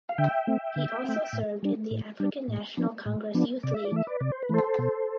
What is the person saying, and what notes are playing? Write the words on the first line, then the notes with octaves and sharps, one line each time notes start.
He also served in the African National Congress Youth League.
F5
D3 E5 G5
A3 C4
D3
A3 C4
A2
G3 D4
A2
G3 D4
A2
F3 B3 D4
A2
F3 B3 D4
C3 D5
E5
D5
E3 A3 E5
B4 D5
C3 D5
C5
B4
E3 A3 A4 C5
B2